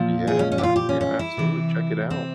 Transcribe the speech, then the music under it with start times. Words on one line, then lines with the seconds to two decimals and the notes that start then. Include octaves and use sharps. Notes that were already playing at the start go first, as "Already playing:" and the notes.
Yeah, yeah, absolutely, check it out.
Already playing: A#2 F3
0.27 G#4
0.39 C#4
0.52 C#4
0.58 G4
0.63 F4
0.76 G4
0.89 C#4
1.01 C#4
1.19 E4
1.37 C3 E3
2.10 C4